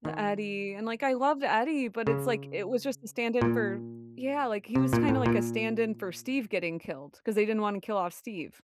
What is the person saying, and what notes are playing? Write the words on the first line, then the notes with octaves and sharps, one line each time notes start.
The Eddie, and like, I loved Eddie, but it's like, it was just a stand in for yeah, like, he was kinda like a stand in for Steve getting killed 'cause they didn't wanna kill off Steve.
D#3
C#3
A#2
C3
A#2
A2
A#2